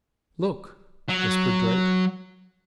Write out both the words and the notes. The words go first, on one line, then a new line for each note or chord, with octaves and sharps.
"Look," whispered Drake.
F#3